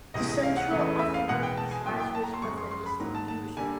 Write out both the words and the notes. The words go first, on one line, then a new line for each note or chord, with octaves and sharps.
The central authority decides which method is to be used.
C#2 C3 E3 G#3 D#5
D#5
F5
F#5
E2 C#3 E3 A3
E5
F5
E2 B2 G#3 F#5
G5
A5
G#5
A2 F#3 A#3 G5
G5
A5
A#5
C6
F#2 C#3 F3 G#3 C#6
C6
C6
B5
G#2 D#3 F#3 A#3 A#5
A5
A5
D3 G3 A#3 G#5